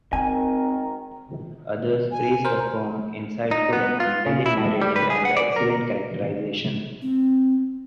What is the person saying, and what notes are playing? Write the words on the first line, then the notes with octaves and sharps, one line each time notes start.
Others praised the firm, insightful and compelling narrative, and the excellent characterization.
G#1 D#3 C4 A#4 G#5
G#5
A#4 C5
D#4
B3
F4
C#3
E4
A2
G3
B4
G#4
F#5
D5
A#4
C4